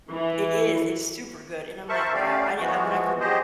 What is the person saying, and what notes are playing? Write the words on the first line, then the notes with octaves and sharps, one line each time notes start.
It is. It's super good. And I'm like, "Wow," I did I when I fir
E3
A#4 C5 E5 A5 C#6
A3 C#4 G4 D5 F5
E3 F3 G#3 B3 F#4
F#3 G4 G#4 C5 D#5